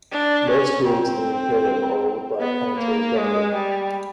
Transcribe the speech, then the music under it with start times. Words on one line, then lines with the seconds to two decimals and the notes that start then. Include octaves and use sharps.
Most worlds in the Imperium are ruled by a planetary governor.
0.12 D4
0.50 C#4
0.88 C4
2.41 B3
2.79 A#3
3.17 G#3
3.55 G3